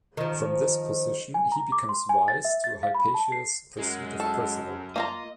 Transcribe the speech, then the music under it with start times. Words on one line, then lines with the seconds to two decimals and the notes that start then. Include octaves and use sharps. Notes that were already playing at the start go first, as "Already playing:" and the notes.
From this position, he becomes wise to Hypatia's pursuit of Percival.
0.17 D#3 F3
1.34 G#5
1.52 A#5
1.72 D6
1.89 C6
2.09 G#5
2.28 A6
2.45 E5
2.64 A6
2.83 F5
2.95 B5
3.14 A5
3.32 C7
3.78 F#2 G#3
4.20 A4
4.96 A#3 F4 D#5 A#5